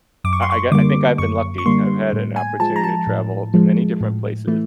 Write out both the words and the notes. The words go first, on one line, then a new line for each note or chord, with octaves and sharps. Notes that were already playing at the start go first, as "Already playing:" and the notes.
I I got I think I've been lucky, I've had an opportunity to travel to many different places,
F#2 D6
C#6
C6
C#6
D3 G3 A#3 D6
F#2 C#6
C#6
D3 G3 A#3 C6
A2
G#5
F3 G#3 A5
A#5
A5
A2
F3 G#3
A2
E3 A3